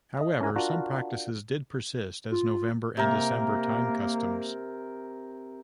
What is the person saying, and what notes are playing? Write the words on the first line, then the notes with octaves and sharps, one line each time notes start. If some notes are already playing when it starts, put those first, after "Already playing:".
However, some practices did persist as November and December time customs.
D#5
C#4 E4 A#4 G#5
D4 F4 F#4 A#4
F4
C3 A#3 A#4